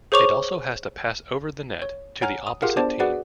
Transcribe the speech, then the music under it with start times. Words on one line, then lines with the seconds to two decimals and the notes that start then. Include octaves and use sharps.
It also has to pass over the net to the opposite team.
0.12 G#4 C5 C#5 C#6 D6 F7
1.82 C#5
2.22 C#5 F#5 G#5 A#5 F6
2.47 D#6
2.62 F4 G4 G#4 A#4 F5 F#5
2.77 B3 D4 C5 D5 A5 D6
3.00 F#4 G#4 B4 D5 F#5 D6